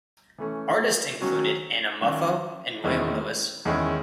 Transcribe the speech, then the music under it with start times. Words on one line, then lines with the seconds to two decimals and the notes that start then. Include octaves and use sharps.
Artists included Anna Moffo and William Lewis.
0.38 E3 A3 C#4
1.21 D#3 F#3 C#4 F#4
2.01 D#3 F#3 C#4 F#4
2.84 E2 D#3 G#3 C#4 E4
3.65 E2 D#3 G#3 C#4 E4